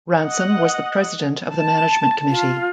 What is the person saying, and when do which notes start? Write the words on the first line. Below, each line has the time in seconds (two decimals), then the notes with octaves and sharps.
Ransom was the president of the management committee.
0.20 D#5 F#5
1.51 A5
2.30 F4